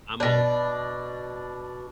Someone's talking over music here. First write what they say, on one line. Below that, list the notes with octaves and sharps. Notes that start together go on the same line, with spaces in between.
I'm old.
B2 D4